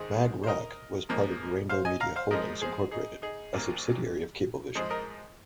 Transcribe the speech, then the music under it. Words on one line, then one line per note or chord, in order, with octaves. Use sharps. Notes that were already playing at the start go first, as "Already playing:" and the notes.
Mag Rack was part of Rainbow Media Holdings, Incorporated a subsidiary of Cablevision.
Already playing: G#2 D#3 G#3 G#4 C5
C5
A#4 D#5
G#2 F3 A#3
C5 F5
D#5 G#5
F5 A#5
C5 F5
G#2 F3 G#3 A#4 D#5
G#4 C5
D#4 G#4
D#4 G#4
C2 A#2 A#3
G#2 F3 G#3 G#4 C5
A#4 D#5